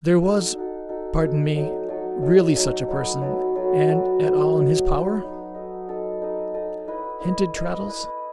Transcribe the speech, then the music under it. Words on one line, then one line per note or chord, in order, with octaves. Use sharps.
'There was--pardon me--really such a person, and at all in his power?' hinted Traddles.
D#4 F#4 A4
D#4 F#4 A4
D#4 F#4 A4
D#4 F#4 A4
F#3 A3 D#4 A4
F#3 A3 D#4 A4
F#3 A3 D#4 A4
F#3 A3 D#4 A4
F#3 B3 F#4 A4
F#3 B3 F#4 A4
F#3 B3 F#4 A4
F#3 B3 F#4 A4
F#3 B3 D#4
F#3 B3 D#4
F#3 B3 D#4
F#3 B3 D#4
D#4 A4 D#5
D#4 A4 D#5
D#4 A4 D#5
D#4 A4 D#5
E4 B4 D#5
E4 B4 D#5
E4 B4 D#5
E4 B4 D#5